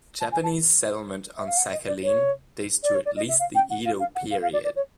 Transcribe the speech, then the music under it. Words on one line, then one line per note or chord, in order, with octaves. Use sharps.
Japanese settlement on Sakhalin dates to at least the Edo period.
A5
G#5
A5
E5
F5
F#5
D#5
D5
C#5
D5
C#5
D5
D#5
E5
F5
G5
F#5
F5
F5
F#5
F5
F5
D5
D5
C#5